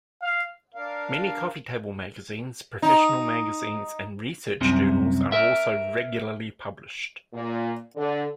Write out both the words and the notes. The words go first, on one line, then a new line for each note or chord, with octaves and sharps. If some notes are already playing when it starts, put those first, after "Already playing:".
Many coffee table magazines, professional magazines and research journals are also regularly published.
F5
D4 A#4 F5
D#4
C2 F#2 C3
A#4 E5
A#2
D3